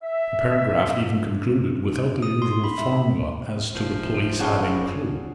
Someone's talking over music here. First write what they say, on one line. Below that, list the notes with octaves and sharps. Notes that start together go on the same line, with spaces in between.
The paragraph even concluded without the usual formula as to the police having a clew.
E5
D#6
C6
B5
E5
F1 F3
G3 C#4 D4 G#4 F#5 G#5